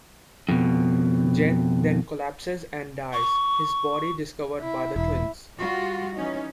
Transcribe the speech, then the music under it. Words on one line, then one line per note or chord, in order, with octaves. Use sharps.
Gen then collapses and dies, his body discovered by the twins.
F2 B2
C#6
E4
E1 E4
G3 F4 F#4
E3 C#4 D#4